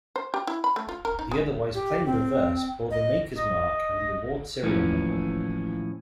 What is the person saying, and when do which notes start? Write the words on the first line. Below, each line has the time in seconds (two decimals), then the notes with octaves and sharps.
The otherwise plain reverse bore the maker's mark and the award serial number.
0.16 C5
0.34 G4
0.47 E4
0.64 B5
0.76 A3
0.89 F4
1.05 A#4
1.19 D#4
1.31 G#3
1.74 G4
2.06 C4
2.91 D#5
3.38 D#5
4.62 D#2 A2 E3 F3 C#4